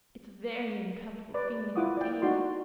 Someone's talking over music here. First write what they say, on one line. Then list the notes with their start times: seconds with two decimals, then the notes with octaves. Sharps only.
It's very uncomfortable feeling indeed.
1.34 B4 D5
1.76 E4 F4 F#5 D6 D#6
1.97 D5 G5
2.22 D#4 F#4 D5 C6